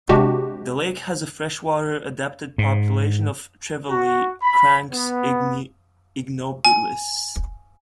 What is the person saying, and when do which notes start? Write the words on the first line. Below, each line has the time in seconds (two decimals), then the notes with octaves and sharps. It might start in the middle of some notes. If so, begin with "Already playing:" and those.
The lake has a freshwater-adapted population of trevally, "Caranx ignobilis".
0.09 C3 G#3 D4 F#4 G4
2.58 G#2
3.90 F#4
4.43 B5
4.92 B3
6.65 G#5